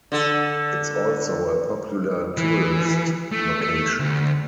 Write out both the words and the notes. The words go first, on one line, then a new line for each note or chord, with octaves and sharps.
It's also a popular tourist location.
D3 A4
E3
A3
A3
D2